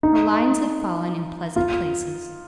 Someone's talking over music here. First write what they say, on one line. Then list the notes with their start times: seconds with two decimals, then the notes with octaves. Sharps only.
Her lines had fallen in pleasant places.
0.03 D#4
1.56 F4